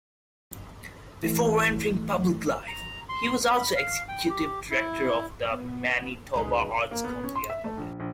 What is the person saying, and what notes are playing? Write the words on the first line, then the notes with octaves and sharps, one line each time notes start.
Before entering public life, he was also executive director of the Manitoba Arts Council.
E3 A3
A#5
C6
B5
F5
G5
G4
E4
B3
C#2 B2 G#3 D#4
A#3
B3
C#4
C6
E5
A3
A#1
A#1